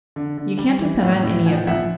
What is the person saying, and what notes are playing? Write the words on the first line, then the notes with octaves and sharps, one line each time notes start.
You can't depend on any of them.
D3
D3
G3
E3
A2
A2
F3 F#5 G#5
G5
F3 E5 F#5